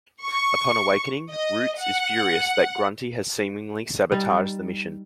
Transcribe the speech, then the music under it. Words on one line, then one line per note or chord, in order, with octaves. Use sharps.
Upon awakening, Rootes is furious that Grunty has seemingly sabotaged the mission.
C#6
D#5
F#5
G3 D#4